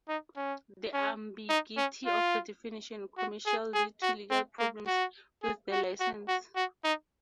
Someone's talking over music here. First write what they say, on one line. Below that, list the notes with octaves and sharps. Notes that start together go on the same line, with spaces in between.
The ambiguity of the definition "commercial" lead to legal problems with the license.
D#4
C#4
C#4
D#4
C#4
F4
F#4
G#4
G#4
F#4
C4
A#3
F#4
G#4
F#4
F#4
F#4
F#4
D#4